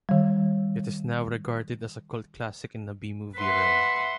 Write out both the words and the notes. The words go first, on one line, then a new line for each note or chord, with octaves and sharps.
It is now regarded as a cult classic in the B movie realm.
D#3 G3
B4 E5 F#5 C6